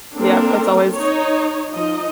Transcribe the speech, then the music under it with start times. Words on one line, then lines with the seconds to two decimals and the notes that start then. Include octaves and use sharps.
Yep, it's always
0.17 A#3 C4 D4 A4 A#4
0.93 D#4 C#5
1.71 F3 D#4 D#5